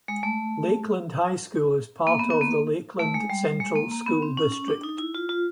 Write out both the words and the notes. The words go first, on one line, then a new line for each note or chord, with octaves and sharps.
Lakeland High School is part of the Lakeland Central School District.
G#3
A3
A#3
B3
B3
A#3
A3
G#3
G3
G3
G#3
A#3
A#3
B3
C4
C#4
C#4
D4
D#4
E4
F4
F4